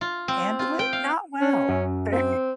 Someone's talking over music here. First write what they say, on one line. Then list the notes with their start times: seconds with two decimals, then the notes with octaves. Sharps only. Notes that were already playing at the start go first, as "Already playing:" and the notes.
handle it? Not well, very,
0.01 F4
0.28 C4
0.59 F4
0.79 G5
0.93 F5
1.41 C#4
1.69 F#2
2.12 C4